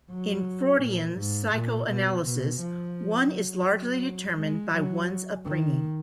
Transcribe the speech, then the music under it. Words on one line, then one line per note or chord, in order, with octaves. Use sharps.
In Freudian psychoanalysis, one is largely determined by one's upbringing.
F#3
A#2
G#2
A#2
B2
B2
F3
F#3
G#3
F#3
D#3